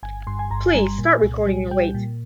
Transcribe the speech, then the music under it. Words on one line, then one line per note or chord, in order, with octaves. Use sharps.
Please start recording your weight.
G1 G#5
G2 C6
G#5
G1 A#5
G3 G#5
A#2
C2
G3
G3 G5
A#2